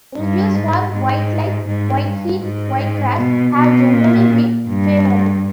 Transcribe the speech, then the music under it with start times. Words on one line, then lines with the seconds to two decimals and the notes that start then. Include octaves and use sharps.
Reviews for "White Light, White Heat, White Trash" have generally been favorable.
0.18 G2
0.55 G#2
0.93 G#2
1.68 G#2
2.06 G2
2.43 G#2
3.18 B2
3.55 B2
3.93 A#2
4.68 G2